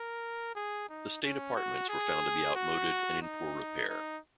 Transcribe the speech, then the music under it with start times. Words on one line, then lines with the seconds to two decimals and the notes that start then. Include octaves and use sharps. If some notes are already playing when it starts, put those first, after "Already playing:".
The state apartments were found to be outmoded and in poor repair.
Already playing: A#4
0.56 G#4
0.89 D#4
1.23 C#4
1.56 F#4
1.89 G#4
2.56 F#4
3.22 D#4
3.89 D#4